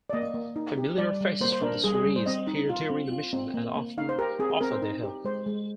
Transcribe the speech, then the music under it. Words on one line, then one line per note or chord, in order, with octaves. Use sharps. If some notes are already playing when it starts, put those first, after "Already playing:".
Familiar faces from the series appear during the mission and often offer their help.
D5
A#3 D#5
A#3
D#4
G4
G3 D5
G3
A#3 C5
C5
D4 A#4
G3 G#4
G#4
G3
C5
C4 D#5
D#4
F4
C4
F4
C4
A#3
A#3
D#4 F5
C5
G4 A#4
C4 G#4
G#4
C4 A#4
C5
D#4
G4
G#3 C5
G#3